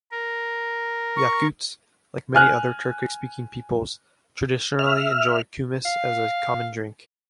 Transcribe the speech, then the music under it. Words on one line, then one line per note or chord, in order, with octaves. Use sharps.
Yakuts, like many other Turkic-speaking peoples, traditionally enjoy kumis as a common drink.
A#4
C#6
G#5 F6 F#6
E5 F6
F5